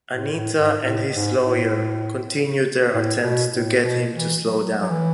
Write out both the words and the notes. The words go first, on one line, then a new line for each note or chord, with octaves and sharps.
Anita and his lawyer continue their attempts to get him to slow down.
A2
A2
G#2
A2
G#2
A2
A2
B2
A2
B2
E3
F#3
F#3
E3